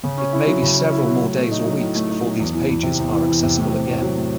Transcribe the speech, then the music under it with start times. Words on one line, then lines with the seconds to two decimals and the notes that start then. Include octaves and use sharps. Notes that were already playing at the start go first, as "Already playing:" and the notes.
It may be several more days or weeks before these pages are accessible again.
0.03 C#3
0.18 C#4
0.33 E4
0.47 F#3
0.62 C#3
0.77 C#4
0.92 E4
1.06 F#3
1.21 A2
1.36 A3
1.51 D#4
1.66 F#3
1.81 A2
1.95 A3
2.10 D#4
2.25 F#3
2.40 E2
2.54 E3
2.69 E2
2.83 C3
2.99 E2
3.13 E3
3.28 E2
3.43 C3
3.58 A2
3.73 C4
3.87 A2
4.02 F#3
4.17 A2